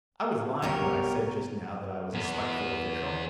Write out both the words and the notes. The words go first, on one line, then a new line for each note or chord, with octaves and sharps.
I was lying when I said just now that I was a spiteful official.
C2 B3 G4 A#4 C#5
E2 B3